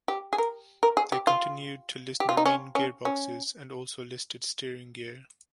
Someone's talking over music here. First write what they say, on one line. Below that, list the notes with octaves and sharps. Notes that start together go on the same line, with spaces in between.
They continued to list marine gearboxes and also listed steering gear.
G4
G#4
A#4
A#4
G#4
G4
F4
G4
F4
D#4
C#4
C#4
C#4